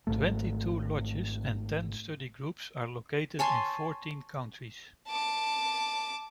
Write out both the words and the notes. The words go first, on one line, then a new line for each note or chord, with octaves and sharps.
Twenty-two lodges and ten study groups are located in fourteen countries.
G#1 C#2 G#2 A3
C#5 G#5 A5 C6
A5 D6